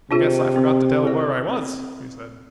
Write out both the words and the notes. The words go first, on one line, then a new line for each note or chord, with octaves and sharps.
"I guess I forgot to tell where I was," he said.
C3 D4 F4 G#4
C4
E4 A4 D5
C4